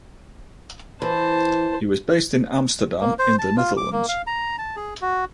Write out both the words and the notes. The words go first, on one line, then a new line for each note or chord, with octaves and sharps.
He was based in Amsterdam in the Netherlands.
E3 C5 A5
A#3
C5
A5
F4
D6
A#3
F5
A#5
A5
G#4
F#4